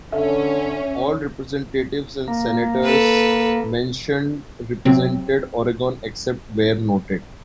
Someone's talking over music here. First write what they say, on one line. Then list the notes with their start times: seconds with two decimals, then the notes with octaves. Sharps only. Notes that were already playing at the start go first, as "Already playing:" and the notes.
All representatives and senators mentioned represented Oregon except where noted.
0.12 D3 C#4 A4 E5
2.28 A#3
2.84 A4 B4
4.85 C3 F#3 C4